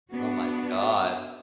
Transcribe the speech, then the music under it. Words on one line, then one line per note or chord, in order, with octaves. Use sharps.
Oh my god.
B3 D4 F#4